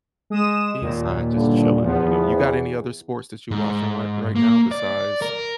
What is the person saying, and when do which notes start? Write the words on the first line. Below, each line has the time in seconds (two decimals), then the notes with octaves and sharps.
Be inside just chilling, you know? You got any other sports that you're watching white right now besides
0.30 G#3 D#6 E7
0.81 D#2 A#2
1.33 G2 D3
1.83 E2 F3 B3
3.51 G#2
4.36 A#3
4.71 D5
5.22 A#4